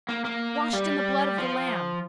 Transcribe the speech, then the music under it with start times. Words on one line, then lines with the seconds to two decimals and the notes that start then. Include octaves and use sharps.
Washed in the blood of the Lamb.
0.09 A#3
0.25 A#3
0.73 G3
1.38 F3